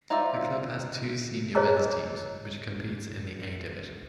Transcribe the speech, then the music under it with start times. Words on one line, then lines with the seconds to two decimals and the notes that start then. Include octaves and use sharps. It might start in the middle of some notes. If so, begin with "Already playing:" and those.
The club has two senior men's teams which competes in the A division.
0.10 D#4 F4 C5 D5 E5
1.55 G#4 C5 C#5 D#5 A#5 E6